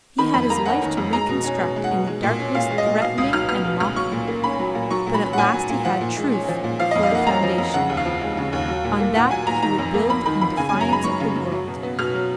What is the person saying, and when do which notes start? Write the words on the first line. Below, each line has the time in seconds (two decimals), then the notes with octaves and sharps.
He had his life to reconstruct in the darkness threatening and mocking; but at last he had truth for a foundation; on that he would build in defiance of the world.
0.18 D#3 B5
0.34 F2 B5
0.50 A#3 A#5
0.66 C#4 F#5
0.82 D#3
0.97 F2
1.13 G#3 A#5
1.29 B2
1.44 C#4
1.60 B2
1.76 G#3
1.84 F#5
1.92 B2
2.07 G#3
2.23 A#2
2.39 C#4
2.55 A#2 F5
2.70 G#3
2.78 D#5
2.85 A#2
3.02 B2 F5
3.18 C#2 D#6
3.33 F#3 F6
3.49 B3 F6
3.65 B2
3.80 C#2 F6
3.96 F#3 C#6
4.12 A#2
4.27 A#3
4.44 C#4 B5
4.59 F#3
4.75 A#2
4.90 F#3 C#6
5.06 A#2
5.14 B5
5.22 C#4
5.33 F#5
5.38 A#2 G#5
5.53 F#3
5.69 A#2
5.85 F3 F#5
6.01 A#2
6.17 G#3
6.32 C#4
6.48 F3
6.64 A#2
6.79 F3 F5
6.91 D#5
6.95 F2
7.03 F5
7.11 A#3 F#5
7.27 C#4 A#5
7.42 F3
7.58 F2
7.74 C#3 F#5
7.89 D#2
7.97 F5
8.05 F3
8.21 G#3
8.37 C#3
8.53 D#2
8.68 F#3
8.84 A#2
9.00 A#3
9.15 A#2 F#5
9.31 F#3 G#5
9.47 A#2 A#5
9.62 D#3 A#5
9.78 F2
9.94 A#3
10.10 F2 B5
10.26 D#3 B5
10.41 F2 B5
10.57 C#3 G#5
10.69 G#5
10.73 F#2
10.81 A#5
10.89 G#3 B5
11.04 F#2 C#6
11.20 C#3
11.36 F#2
11.52 F#3
11.67 B2
11.83 B3
11.99 B2 F6
12.15 F#3